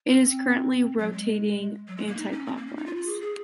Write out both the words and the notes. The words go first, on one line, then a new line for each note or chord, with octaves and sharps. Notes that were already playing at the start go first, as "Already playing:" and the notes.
It is currently rotating anticlockwise.
C#4
C4
F#3
G#3
F#3
G#3
A#3
D#4
C#4
C4
A#3
C#4
D#4
F4
F4
G#4
G#4